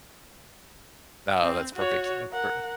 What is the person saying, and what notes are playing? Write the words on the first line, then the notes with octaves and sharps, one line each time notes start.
No, that's perfect, that's perfect
C4
F#4 C#5
A#4 F#5